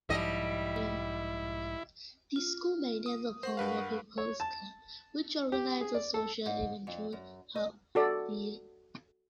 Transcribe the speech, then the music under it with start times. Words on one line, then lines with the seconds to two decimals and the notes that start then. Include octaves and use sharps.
The school maintains a Former Pupils Club, which organises social events throughout the year.
0.09 B1 G#2 F3 G3 E4 D#5
2.36 F4
3.06 D#6
3.43 A#4 C5 F#5 C#6
3.57 G2 B4 F5
4.18 C#5
4.40 A5
5.52 G4
5.81 G#4
5.94 D5
6.14 A4
6.46 G#2
6.87 F2
7.13 F#2
7.56 D#5
7.95 F#4 A4 D5